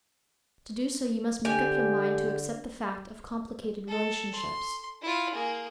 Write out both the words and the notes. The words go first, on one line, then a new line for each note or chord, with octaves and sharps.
To do so you must make up your mind to accept the fact of complicated relationships.
D3 G4 G#5
A4
C6
E4 F4
A#3 G#4